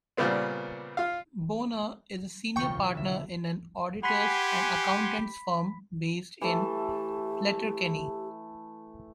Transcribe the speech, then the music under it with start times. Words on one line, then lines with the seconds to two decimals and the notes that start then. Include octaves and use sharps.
Bonner is a senior partner in an auditors and accountants firm based in Letterkenny.
0.17 A#2 C#3 G3 B3 C4
0.97 F4 F5
2.56 E1 C#2 F4 G5 C#6
2.95 D3 E5
4.03 G4 F#5 G#5 B5 C6 B6
6.42 E3 A3 G4 A4